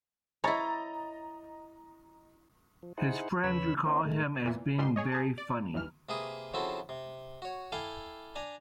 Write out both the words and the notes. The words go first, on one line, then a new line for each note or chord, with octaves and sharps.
His friends recall him as being very funny.
E4 C#5 D#5 A#5 A6
F3
D#4 E4 G#4 C5 F#5
E2 C#3 B4 C#5 B5 E6
A#3 C#4 E4 C5 D#5
A2 D#3 G#3 A3
F2 A#2 E3
C#2 G#2 G3 G#3 C6
G#4 C#5 D#5
G#4 A5
D5
G1 D#2 E3 F6
C3 A#3 G#4 B4 D#6
C#3 F3 C4 E4 F#4 A4
C3
F#4 C#5
E4 A4 F5 G5 G#5 D6
D4 G#5 A#5